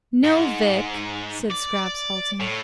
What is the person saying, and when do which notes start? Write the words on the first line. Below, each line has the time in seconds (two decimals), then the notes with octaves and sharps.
"No, Vic," said Scraps, halting.
0.24 G#2
1.50 D5
2.41 A2